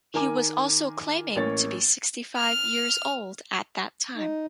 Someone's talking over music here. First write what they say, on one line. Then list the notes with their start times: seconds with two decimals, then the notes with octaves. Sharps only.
He was also claiming to be sixty-five years old at that time.
0.14 D#3 A#4 G#5 D6
1.36 A1 A#3 C#4 C#5 A6
2.37 F6
4.16 D#4